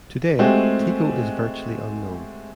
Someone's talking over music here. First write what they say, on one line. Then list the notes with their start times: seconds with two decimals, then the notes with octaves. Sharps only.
Today Teeko is virtually unknown.
0.39 G#3 A3 C4 F#4 G4